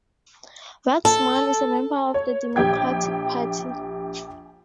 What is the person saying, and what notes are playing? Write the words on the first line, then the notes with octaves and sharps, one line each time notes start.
Waxman is a member of the Democratic Party.
A4
C#5
A#1 G4 G5 G#6